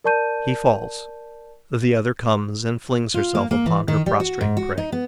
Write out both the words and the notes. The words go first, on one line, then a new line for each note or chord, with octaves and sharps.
He falls; the other comes and flings herself upon her prostrate prey.
A#4 D5 A5 C#6 G6 D#7
F4
A#3
A#3
E3
D#3
G3
F#4
G#2
F#4
D#4
B3